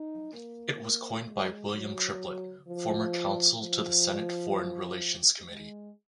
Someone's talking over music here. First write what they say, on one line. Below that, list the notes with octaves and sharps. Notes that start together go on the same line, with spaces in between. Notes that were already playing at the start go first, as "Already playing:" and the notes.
It was coined by William Triplett, former counsel to the Senate Foreign Relations Committee.
Already playing: D#4
A#3
G#3
F#3
F3
F3
G#3